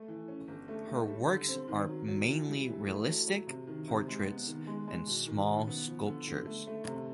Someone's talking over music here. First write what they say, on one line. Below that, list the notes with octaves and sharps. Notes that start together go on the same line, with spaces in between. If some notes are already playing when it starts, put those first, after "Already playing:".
Her works are mainly realistic portraits and small sculptures.
Already playing: A3
E3
C#4
G1
A3
A3
G3
D3
C4
D#3
F#3
F#3
E3
G3
E3
A3
F#3
F#3
C3
D#3
C3
G#3
B3
D#3
G#3
G#3
B2
D#3
D#3
B3
F3
D3
D3
A3
A3
C3